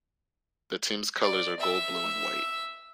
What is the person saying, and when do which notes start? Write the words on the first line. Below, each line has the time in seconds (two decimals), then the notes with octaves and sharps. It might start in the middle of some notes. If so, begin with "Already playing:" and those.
The team's colors are gold, blue and white.
1.22 D5
1.59 E5 E6